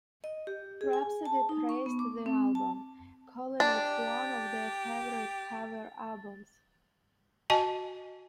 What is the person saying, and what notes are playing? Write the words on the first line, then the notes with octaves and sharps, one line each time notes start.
Rhapsody praised the album, calling it one of their favorite cover albums.
D#5
G4
G#4
G#5
A5
D#4
C#6
B3
D6
C4
A5
D4 G4 D5 A5 A6
F#4 D#5 G#5 A5